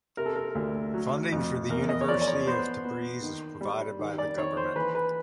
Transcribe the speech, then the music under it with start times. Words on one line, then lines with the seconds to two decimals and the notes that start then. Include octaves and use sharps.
Funding for the University of Tabriz is provided by the government.
0.17 C3 A#4
0.26 A4
0.36 A#4
0.55 D2
0.94 F#3
1.32 F2
1.70 E2 A#4
1.89 D#5
2.01 C#5
2.08 F3 D5
2.21 D5
2.28 C#5
2.47 B3 C5
2.85 B3
3.22 D#3
3.61 G3
3.99 D#3
4.18 D5
4.37 D#3 C#5
4.57 C5
4.75 E3 B4
4.95 B4